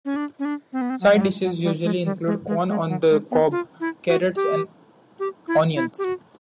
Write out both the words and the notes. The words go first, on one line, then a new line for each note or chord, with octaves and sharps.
Side dishes usually include, corn on the cob, carrots, and onions.
C#4
D4
C#4
D4
C4
B3
C4
F#3
F#3
G3
F#3
G3
G#3
G3
G#3
G#3
G#3
F#3
G#3
B3
F4
E4
F#4
G4
G4
E4
E4
G4
F#4